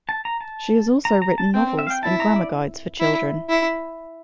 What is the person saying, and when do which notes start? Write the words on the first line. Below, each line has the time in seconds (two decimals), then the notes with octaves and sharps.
She has also written novels, and grammar guides for children.
0.09 A5
0.25 A#5
0.41 A5
1.05 A#5
1.22 A#5
1.38 A5
1.54 C4 G5
1.79 E5
1.87 F5
1.90 G5
2.03 E4 A5
2.20 A#5
2.36 D5
3.00 E4
3.49 E4